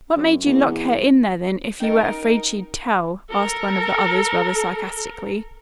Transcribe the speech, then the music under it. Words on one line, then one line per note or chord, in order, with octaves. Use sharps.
"What made you lock her in there, then, if you were afraid she'd tell?" asked one of the others rather sarcastically.
F#2
E2
C#4 D#4 A#4 D#5
A4 A#4